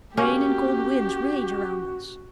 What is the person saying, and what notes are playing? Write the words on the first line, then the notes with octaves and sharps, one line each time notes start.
Rain and cold winds rage around us.
A#3 C#4 F#4 G4